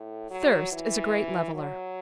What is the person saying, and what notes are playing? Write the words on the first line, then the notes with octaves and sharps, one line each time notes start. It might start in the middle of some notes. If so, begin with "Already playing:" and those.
Thirst is a great leveller.
Already playing: A2
F#3
E3
F#3